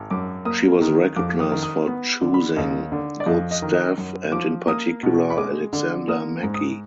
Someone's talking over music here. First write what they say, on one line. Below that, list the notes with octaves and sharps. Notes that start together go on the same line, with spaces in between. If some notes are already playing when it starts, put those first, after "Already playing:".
She was recognised for choosing good staff and in particular Alexander Mackie.
Already playing: G#1
F#2 D6
A#3 D#6
D#3
F2 D6
D#6
D#3
D#6
B3
D3
B5
D#2 D#5
D3
D5
F2 D#5
D#5
D#3
D#5
F#2
F3 D6
A#3 D#6
B2
B5
G#3 D6
D3
A#3 D#6
G#2
D#6